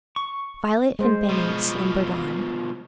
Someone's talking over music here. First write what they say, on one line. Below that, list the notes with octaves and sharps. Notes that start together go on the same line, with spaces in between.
Violet and Benny slumbered on.
C#6
G#3 C5
B2 F3